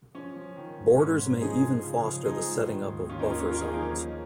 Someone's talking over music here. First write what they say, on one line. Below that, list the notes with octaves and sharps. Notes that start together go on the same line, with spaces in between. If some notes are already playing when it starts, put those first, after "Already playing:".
Borders may even foster the setting up of buffer zones.
F3 C#4
F3
D#3
G#2
G#2 C#4
G#2
F3 D#4 G#4
F3
C#3
F3
F3 D#4 G#4
G#2
D#3
D#2
D#2 C#4 F4
A#3 D#4
D#2 C#4 F4
C#4 F4
D#2 F4 A#4
D#4 G#4
F3 A#3 D#4
C#4
F3